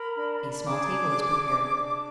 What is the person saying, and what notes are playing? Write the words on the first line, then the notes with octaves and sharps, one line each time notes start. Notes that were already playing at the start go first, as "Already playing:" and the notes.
A small table is prepared.
Already playing: A#4 B5
D4
D4
G#4 D6
D4
G#4
D4
D4